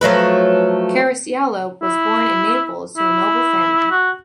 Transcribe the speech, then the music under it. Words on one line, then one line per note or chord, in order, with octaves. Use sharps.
Caracciolo was born in Naples to a noble family.
F3 F#3 A3 B4
E4
E4
F#4